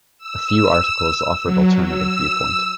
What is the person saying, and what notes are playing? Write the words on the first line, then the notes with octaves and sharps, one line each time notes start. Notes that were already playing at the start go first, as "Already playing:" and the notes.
A few articles offered alternative viewpoint.
E6
F#3
E6